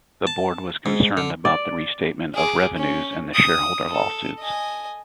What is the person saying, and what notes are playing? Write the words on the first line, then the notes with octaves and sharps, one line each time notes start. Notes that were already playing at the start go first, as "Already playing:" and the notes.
The board was concerned about the restatement of revenues and the shareholder lawsuits.
A5
G#2
D3
D5
G#4 D6
C#4
D#6
A4
D#5 G#5